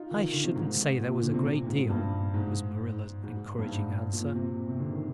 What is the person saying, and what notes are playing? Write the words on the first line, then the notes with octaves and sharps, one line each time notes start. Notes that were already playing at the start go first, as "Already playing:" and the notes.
"I shouldn't say there was a great deal" was Marilla's encouraging answer.
Already playing: D#4 F4
D#3
D#3
D3
C3
G#2
G#2
A#2
D3
C3
A#2
G#2
G2
G#2
G#2
G2
G#2
A#2
C3
C3
D3
D#3